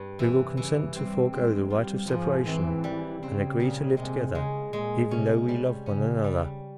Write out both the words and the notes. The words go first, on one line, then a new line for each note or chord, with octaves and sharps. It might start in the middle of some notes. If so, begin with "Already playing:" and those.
We will consent to forego the right of separation, and agree to live together, even though we love one another.
Already playing: G2
C3 E3
C#3 E3
G3 C4
G#3 C4
G3 F4
G#2 F3
E3 C4
G3
C#3 C4
A#2
C3 G#3
C#3 G#3
A#2 G#3
C3 C#4
G3
C#3 C#4
G3